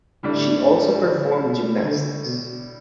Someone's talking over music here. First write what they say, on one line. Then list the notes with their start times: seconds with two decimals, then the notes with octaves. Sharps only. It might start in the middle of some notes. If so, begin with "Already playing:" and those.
She also performed gymnastics.
0.23 A2 D3 G3 D4
1.04 D3
1.45 B2
1.84 D3
2.25 B2